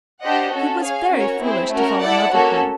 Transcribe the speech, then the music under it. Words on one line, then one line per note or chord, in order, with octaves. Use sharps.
He was very foolish to fall in love with me.
D4 G4 C5 D#5 F#5
C#4 F#4 A4
G#4 C#5 F5 G#5
C#4 F#4 A#4 C#5
C4 E4 G#4 C5
A3 C#4 F#4 A#4
E4 A4 D5 F#5
A#3 C#4 F#4 A4